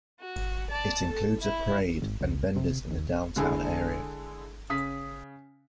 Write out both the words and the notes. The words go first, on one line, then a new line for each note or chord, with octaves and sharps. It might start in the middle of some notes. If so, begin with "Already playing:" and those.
It includes a parade and vendors in the downtown area.
F#4
D5 A5
A4
E4
G#1
C#2
C3
D#2
D3 G#3 E4 G#4 A4
C#3 D#6 B6